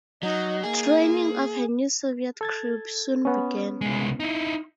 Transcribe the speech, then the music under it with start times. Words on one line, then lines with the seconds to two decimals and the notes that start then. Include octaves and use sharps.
Training of her new Soviet crew soon began.
0.23 F#3 D#4
0.63 A#3 G#4
2.41 A4 G#6 A6
3.25 B3 C#4
3.81 C2 G#3
4.20 D#4 E4